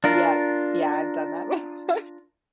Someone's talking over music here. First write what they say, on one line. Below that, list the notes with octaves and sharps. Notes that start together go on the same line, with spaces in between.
Yep, yeah, I've done that before.
D4 F4 A#4